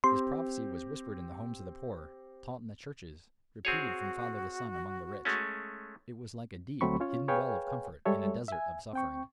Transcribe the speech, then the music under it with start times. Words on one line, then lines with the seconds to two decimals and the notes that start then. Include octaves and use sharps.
This prophecy was whispered in the homes of the poor, taught in the churches, repeated from father to son among the rich; it was like a deep, hidden well of comfort in a desert of suffering.
0.04 C4 G4 C6
3.65 C4 F#4 G#4 C#5
5.25 G#3 A3 C#4
6.81 D2 F#3 A3 C4 B5 C#6
7.00 C#4 F4 C#5
7.28 G#4 B4 C#5 F5 G5 G#5
8.05 G3 G#3 A4 C#5 E5
8.48 E5 G#5
8.93 C4 G5 C#6